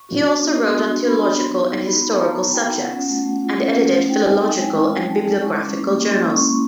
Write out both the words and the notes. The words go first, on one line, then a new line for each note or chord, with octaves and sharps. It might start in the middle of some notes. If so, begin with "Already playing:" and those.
He also wrote on theological and historical subjects, and edited philological and bibliographical journals.
Already playing: C#6
F#4
D4
B3
B3
F#4 C6
D4
B3 B5
B3
F#4 C6
D#4
C6
B3
B5
B3
F#4 A#5
D#4
A5
B3
G5
B3
F4 F#5
C#4
A3
A3
F4
C#4
A3
A3
D#4 G5
C4 G#5
G#3 G#5
G#3 G5
D#4
C4
G#3 A5
G#3
E4 C#6
C#4 D6
C#6
A#3
A#3
E4 C6
C#4
C#6
A#3